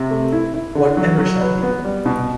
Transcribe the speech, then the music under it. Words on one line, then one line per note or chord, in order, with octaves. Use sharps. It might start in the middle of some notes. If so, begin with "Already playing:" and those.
What ever shall we do?
Already playing: C3
A3
E4
E4
D3
F#3
F#3
B4
B3
G3
B2